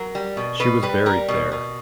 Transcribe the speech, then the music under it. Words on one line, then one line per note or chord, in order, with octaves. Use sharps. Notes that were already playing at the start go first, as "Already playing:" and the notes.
She was buried there.
Already playing: F#3 A#4
G3
B2
B2 B4
G3 B4
G3 A#4
B2
B2